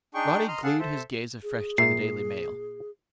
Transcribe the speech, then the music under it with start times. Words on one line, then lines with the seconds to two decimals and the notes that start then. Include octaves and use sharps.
Roddy glued his gaze afresh to the Daily Mail.
0.15 D4 D#4 G#4 G5 C#6
0.48 D#5 A#5 C6 F6
0.63 G#4 A4 F5 F#5
0.79 A4 C5 E5
1.43 G#4
1.78 A#2 E5 C7